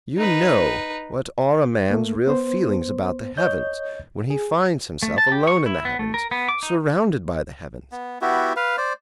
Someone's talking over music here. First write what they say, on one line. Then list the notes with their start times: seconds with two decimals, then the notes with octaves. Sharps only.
You know what are a man's real feelings about the heavens, when he finds himself alone in the heavens, surrounded by the heavens.
0.17 D#4 B4
1.90 A3 A#3
2.27 B3 C5
3.37 C#5 D#5 G6
4.30 G#4
5.03 A3
5.18 A5
5.32 G4
5.47 C#6
5.66 E4
5.85 B3
5.99 A3
6.14 A#4
6.31 B3
6.49 D6
6.63 D#4
7.92 B3
8.21 B3 E4 F#4 G4
8.56 B4 F5
8.77 C5 D5